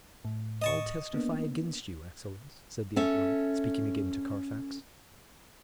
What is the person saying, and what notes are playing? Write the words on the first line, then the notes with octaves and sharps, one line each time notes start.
"All testify against you, excellence," said the outlaw, speaking again to Carfax.
A2
D#5 A5 C#6
A#3 B3 D4
C#4 A4 E5